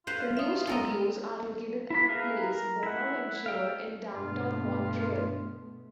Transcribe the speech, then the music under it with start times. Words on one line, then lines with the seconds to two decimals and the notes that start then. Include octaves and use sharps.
The new studios are located at Place Bonaventure in Downtown Montreal.
0.07 F4 B4 C5
0.37 E5 D#6
0.67 A4 A#4 D#5
1.90 E4 B5
2.09 E4 G#4 A#4 B4 F5
2.52 A#4
2.83 E4 F#5
3.46 F5 G5 E6
4.14 G2 B2 A3 F4